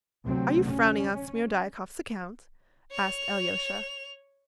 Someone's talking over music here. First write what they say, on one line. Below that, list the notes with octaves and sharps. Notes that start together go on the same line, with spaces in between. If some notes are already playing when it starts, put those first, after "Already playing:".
"Are you frowning on Smerdyakov's account?" asked Alyosha.
D2 C3 F#3 C4
C#4
C#5 F7